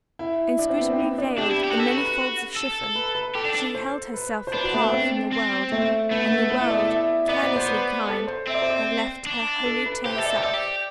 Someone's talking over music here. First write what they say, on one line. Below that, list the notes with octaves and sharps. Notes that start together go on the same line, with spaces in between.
Inscrutably veiled in many folds of chiffon, she held herself apart from the world, and the world, carelessly kind, had left her wholly to herself.
E4
D4
C4
B3
C4
B3
D4
D4 G4
E4
G4
F#4
A4
E4
F#4
B4
A4
B4
B4
G4 A4
D4
D4
C5
B4
C5
D4 B4
F#4
A3
B3
C4
C4
A3
A3 B3
B3
B3
E4
D5
E5
E5
B3 D5
D5
C5
B4
A4
C5
C4 E5
D5
C5
D5
D4
A4
B4
G4 C5
E5
A4
D5
G4 C5
A4 D5
G4